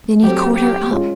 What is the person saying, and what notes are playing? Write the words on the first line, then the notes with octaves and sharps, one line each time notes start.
Then he caught her up.
F#3 A3 C4 G4
G4
G#3 C#4 F4